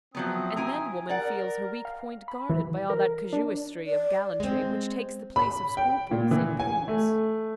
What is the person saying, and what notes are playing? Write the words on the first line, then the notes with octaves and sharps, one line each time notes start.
And then woman feels her weak point guarded by all that casuistry of gallantry which takes the place of scruples in prudes.
F3 F#3 B3 C4 E5 D#6
E4 G#5 A#5
A#4 D5 F#5
F5
B5
E3
A#4
D4
D5
G#3 C4
B5
G5
A#2
E3
G#5
A3